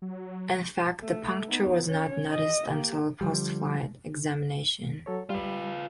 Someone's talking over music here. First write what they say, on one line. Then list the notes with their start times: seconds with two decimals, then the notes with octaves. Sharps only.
In fact, the puncture was not noticed until postflight examination.
0.02 F#3
1.01 A3
1.48 B3 D#4
1.86 C#4 C#5
2.32 D#5
2.68 A#3 G4
3.21 D3 F3 G3
5.06 F#3 A4 C#5
5.30 G3 F4 B4